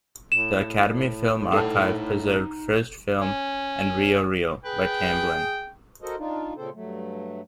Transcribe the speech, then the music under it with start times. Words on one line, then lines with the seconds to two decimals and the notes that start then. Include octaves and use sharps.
The Academy Film Archive preserved "First Film" and "Rio Reel" by Tamblyn.
0.32 A2 E7
1.53 D#4 A4 F#5 G5
3.20 C#4
4.64 G#4 B4 G5
6.02 F#4 A4 A#4 C5 D#5
6.18 D4 D#4 F4
6.57 A#2 C#3 C4 A4 C5
6.74 G2 F#3 A3